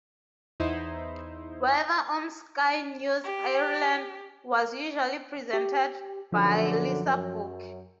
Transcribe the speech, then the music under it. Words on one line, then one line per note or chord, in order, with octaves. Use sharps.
Weather on Sky News Ireland was usually presented by Lisa Burke.
E2 D#4 E4 C5
G4
G4
B1 F#2 D3 F3
F#2